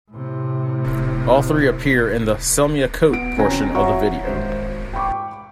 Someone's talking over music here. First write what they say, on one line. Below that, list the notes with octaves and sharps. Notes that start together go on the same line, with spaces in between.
All three appear in the "Sell Me A Coat" portion of the video.
A2 C3
B3 D7
C#3 C4 C#4 G#5 A#5 A#6
F#4 C#5 E5 F#5 A#5 C#6
G#1 C5
G5 B5 C#6 D6